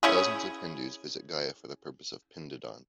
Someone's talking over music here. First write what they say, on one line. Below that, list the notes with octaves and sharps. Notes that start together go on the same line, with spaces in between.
Thousands of Hindus visit Gaya for the purpose of "pindadan".
C#4 E4 G#4